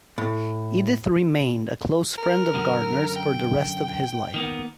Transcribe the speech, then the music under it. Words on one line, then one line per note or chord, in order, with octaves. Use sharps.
Edith remained a close friend of Gardner's for the rest of his life.
A2
A#4
F#2 D3
G5
D#3 A#3 B3